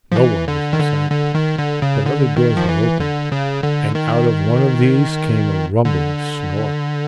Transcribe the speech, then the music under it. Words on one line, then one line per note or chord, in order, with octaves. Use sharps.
No one was in sight; but other doors were open, and out of one of these came a rumbling snore.
F3
E3
D3
D#3
D3
D3
D#3
D3
C#3
D3
D#3
F3
E3
D3
C#3
D3
D#3
D3